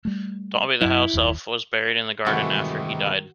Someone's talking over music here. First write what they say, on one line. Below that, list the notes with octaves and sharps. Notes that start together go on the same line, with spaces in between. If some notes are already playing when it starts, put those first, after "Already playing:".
Dobby the house-elf was buried in the garden after he died.
G3 A3
F#2 F#3 E4
F#1 D#2
G2 C3 D#3 E3 G#3 A3 F#4